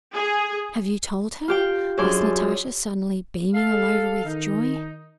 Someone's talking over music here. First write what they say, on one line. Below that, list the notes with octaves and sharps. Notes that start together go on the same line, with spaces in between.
"Have you told her?" asked Natasha, suddenly beaming all over with joy.
G#4
F4 G4 G5
F#2 D4 G#4 C6 D6
A4 F5
D#3 D#4